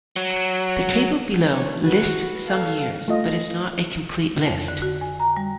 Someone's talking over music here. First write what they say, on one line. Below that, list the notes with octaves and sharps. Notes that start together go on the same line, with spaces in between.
The table below lists some years, but is not a complete list.
F#3
D4 C#5
F#4 B4
A4 F5
A3 F4 D#5
F2
D3
F#4
G#5
A#5
G3